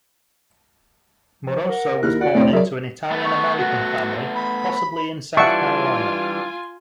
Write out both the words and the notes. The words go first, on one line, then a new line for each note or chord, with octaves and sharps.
Moroso was born into an Italian-American family, possibly in South Carolina.
F3
A#4 F#5
D#2 E4 F6 F#6
F#4 D5 F#5
F2 A2 D3 C4
F#3 G#4 A#4 D5 E5
A3 B3
C#6
F#4
B5
E3 G3 D4 F4 E5 F#5 G#5 C#6